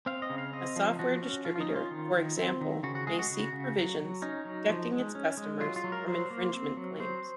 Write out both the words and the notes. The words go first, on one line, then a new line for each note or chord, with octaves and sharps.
A software distributor, for example, may seek provisions protecting its customers from infringement claims.
C4 F5
D#5
C#3
F5
C4 D#5
F3
F3 F#4
C#4
F3 F4
F4
D#4
C#4
F4
D#3
D#3
C4
D#3
C#3 F#4
F#4
G#3 G#4
F#4
C#3
C#3
F#3
F#3
C#4 D#4
F#3
F3
G#3
C#4
G#3
F#3 F4
F4
F#3
A#4
F#3 C5
A#3
C4
F#3
F#3 C5